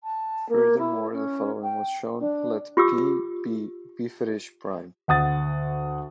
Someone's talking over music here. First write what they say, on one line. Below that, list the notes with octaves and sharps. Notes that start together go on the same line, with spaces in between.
Furthermore, the following was shown: Let "p" be a Wieferich prime.
A5
A#3
E4
C#4
G5
D4
F4 G4 D6 E6
D2 F#5 D#6 A6